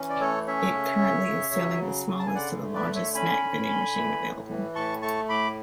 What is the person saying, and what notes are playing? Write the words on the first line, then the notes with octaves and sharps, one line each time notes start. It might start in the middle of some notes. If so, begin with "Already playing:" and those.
It currently is selling the smallest to the largest snack vending machine available.
Already playing: E3 C#4
D5
A3 A4 C#5
C#4 C#5 E5
C#3
C#3
C#3
F#3
C#3
C#3
A5
G#5
D3 D5 F#5
A3
B4 D5
D3
C#5 E5
C#4 G#5 B5
D3
D3
E3
A2
E3
A2 A5 C#6
A3 A5 C#6
A2 B5 D6